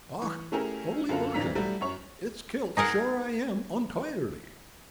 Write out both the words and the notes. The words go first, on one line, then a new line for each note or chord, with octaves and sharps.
"Och! holy Vargin! it's kilt sure I am ontirely!"
E3 C#6
A3 C#4 E4 G4 G#4 A#4
F#2 D3 F4 A4 A#4
G#1 C3 E3 D4 A#5 B6
F#3 G3 A3 E4
F#2 C#5 C#6
D#4 G#4 A#4 F#5